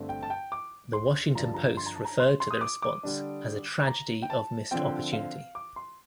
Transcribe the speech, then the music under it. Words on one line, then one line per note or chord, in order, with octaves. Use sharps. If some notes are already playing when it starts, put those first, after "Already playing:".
The Washington Post referred to the response as "a tragedy of missed opportunity".
Already playing: G2 D3 A3 C4
G5
A5
G5
D6
C6
G2 D3 F3 A#5
A5
A#5
C6
A#5
A5
A#5
C6
C6
D#6
D6
D6
D3 G3 D4
A#5
G5
A5
D3 F3 C4 G5
F5
D6
C6